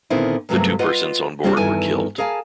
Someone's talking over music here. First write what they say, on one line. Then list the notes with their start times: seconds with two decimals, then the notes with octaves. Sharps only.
The two persons on board were killed.
0.10 A#2 D3 D#3 B3 C4 E4
0.49 D2 G2 C3 F#3 A3 A#3
0.79 F4 B4 D#5 F#5
1.44 G3 A#3 C4 D4 F#4 G4
1.57 E2 G2 D#3 E4 A4 G#5
2.18 G#4 A#4 F5 G#5 A5